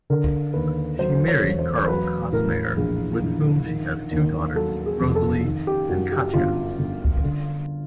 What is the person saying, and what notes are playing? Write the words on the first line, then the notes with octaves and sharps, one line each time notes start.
She married Karl Kossmayer, with whom she has two daughters, Rosalie and Katja.
D3 A#4
D#2 B4
F#3 C5
C#5
E1
C5
F#3 B4
A2 A#4
A#1 G#4
A#1
D#3
D#2
F#3 A4
G#4
F1
A4
D#3
G4
F#2 F#4
G4
G1 F4
G1
D3